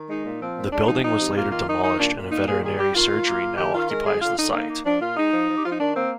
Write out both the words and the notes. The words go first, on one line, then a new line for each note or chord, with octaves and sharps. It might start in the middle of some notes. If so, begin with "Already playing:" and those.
The building was later demolished and a veterinary surgery now occupies the site.
Already playing: D#3
G#3 D#4
A#2
F3 C4
A#2
G#3 D4
F3 D#4
F3 D#4
C3
A#3 F4
D#3 F4
D#3 D#4
D#3 D#4
A#2 D4
A#2
A#3 D#4
A#2 G#4
D#3 G#4
G3 G4
D#3 F4
D#3
A#3
A#3
D#3 G4
D#3 F4
G#3 A#4
D3 G#4
D3 F4
D3 D#4
A#3 D#4
A#3
F3 D4
A#2 F4
G#3 D#4
F3
F3
G4
F3 F4
D#4
D#3 D4
A#3 C4